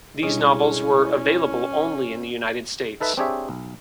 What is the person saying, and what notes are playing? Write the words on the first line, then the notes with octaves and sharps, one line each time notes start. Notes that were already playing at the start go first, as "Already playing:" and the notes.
These novels were available only in the United States.
B2 G3 G#3 C#4 D4 E4
D#4 A4 B4 E5
C4 D4 G4 G#4 C#5 E5
B1